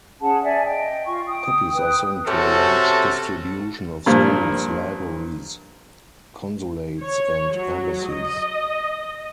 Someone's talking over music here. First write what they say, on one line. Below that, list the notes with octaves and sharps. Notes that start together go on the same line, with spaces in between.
Copies are sent to a large distribution of schools, libraries, consulates and embassies.
C#4 G#4 F#5 A5
D5 E5 G#5
D#5 G5
F4 C#6
G5 D#6
B4 G5 D#6
C3 A3 C#4 F#4 A4
G2 A#2 F3
C#5
F#3
D#5